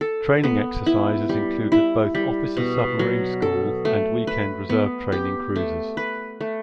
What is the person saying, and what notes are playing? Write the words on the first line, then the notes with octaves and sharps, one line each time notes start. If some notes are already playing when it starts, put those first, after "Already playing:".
Training exercises included both officer submarine school and weekend reserve training cruises.
A4
B3
E4
G3
E4
G3
B2
F#3
A4
A3
B4
B3
G4
A3
B4
A3